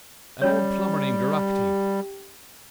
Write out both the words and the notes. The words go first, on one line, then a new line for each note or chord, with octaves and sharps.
An old plumber named Geraghty.
G3 C#4 G4 C#5